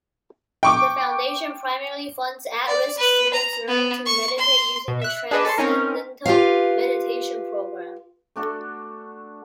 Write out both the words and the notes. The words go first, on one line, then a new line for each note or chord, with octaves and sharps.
The Foundation primarily funds at-risk students learning to meditate using the Transcendental Meditation program.
G5 C#6 D6
D5
B4
A#5
B3
C#6
C6
B2
E5 F#6
D4 G#4 B4 D#5
A4 C#5 C6
C4 C#4 D#4 A#4
F4 G4 B4 F5
A3 D4 F#4 A4